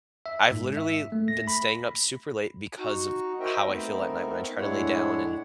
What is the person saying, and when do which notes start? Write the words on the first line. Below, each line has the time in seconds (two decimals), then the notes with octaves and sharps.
I've literally been staying up super late because of how I feel at night when I try to lay down, and
0.26 E5
0.51 G#2
0.77 E5
1.12 A3
1.28 A#6
1.47 B5
2.79 D#4 F#4
3.40 F#4 A#4 C5 D#5 E5 G5
3.67 A3 B3 C4 D#4 A#4
4.56 A2 G#3 D4 E4 C#5 F#5